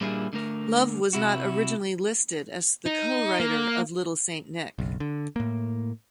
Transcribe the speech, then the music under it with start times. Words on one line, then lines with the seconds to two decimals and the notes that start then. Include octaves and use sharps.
Love was not originally listed as the co-writer of "Little Saint Nick".
0.01 A#2 G3 A#3 D4 E4 G#4
0.33 D3 A3 A#4
1.13 C3 E4 F#4
2.86 D#4
3.40 A#3
4.78 F#1 B1
5.00 D3
5.36 A2 A#3